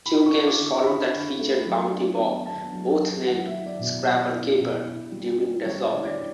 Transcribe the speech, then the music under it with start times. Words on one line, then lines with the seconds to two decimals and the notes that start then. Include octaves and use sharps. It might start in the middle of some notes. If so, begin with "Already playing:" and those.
Two games followed that featured Bounty Bob, both named "Scraper Caper" during development.
0.06 E4 B5
0.26 C#6
0.34 E4
0.47 D6
0.59 D3
0.66 C#6
0.86 D3 B5
1.13 D3
1.39 A3
1.66 F#3
1.93 D4
2.19 B3
2.46 B3 A5
2.72 F#3
2.99 F#3
3.26 F#3 F#5
3.46 E5
3.52 E4
3.66 D5
3.79 B2
4.06 B2 D5
4.32 E4
4.59 B2
4.86 E4
5.12 G3
5.39 C#4
5.65 G3 C#5
5.85 D5
5.92 E4
6.05 D5